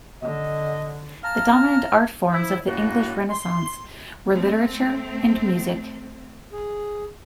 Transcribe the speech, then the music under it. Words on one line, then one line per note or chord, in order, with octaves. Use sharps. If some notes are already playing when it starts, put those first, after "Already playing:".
The dominant art forms of the English Renaissance were literature and music.
D3 D#5
F5 A5 A#5 F6
F3 E4
F#2 A2 A#3 D4 D#4 F#4
C6
A3 C4
G#4